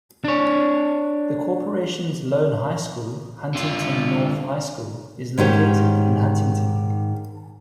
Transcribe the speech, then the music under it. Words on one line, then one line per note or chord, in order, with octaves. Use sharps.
The corporation's lone high school, Huntington North High School, is located in Huntington.
D4 C#5
D3 F4
G#2 D#3 C#4 G4